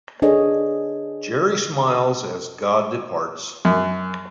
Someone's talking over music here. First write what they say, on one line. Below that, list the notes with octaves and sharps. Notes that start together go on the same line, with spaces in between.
Jerry smiles as God departs.
D4 G#4 A4 B4 C#5 D#5
F#2